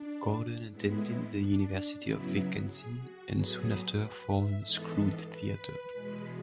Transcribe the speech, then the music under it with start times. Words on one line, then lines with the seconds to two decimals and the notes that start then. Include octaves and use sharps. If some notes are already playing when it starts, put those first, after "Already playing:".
Gordon attended the University of Wisconsin and soon after formed Screw Theater.
Already playing: D4
0.70 A2 G#3 B3 E4
1.35 D4
2.00 C#3 F#3 B3 E4
2.65 G#4
2.97 F#4
3.30 A2 F#3 B3 G#4
3.96 B4
4.29 E5
4.61 G#2 E3 G#3 B3 A4
5.26 B4
5.92 E2 B2 G#3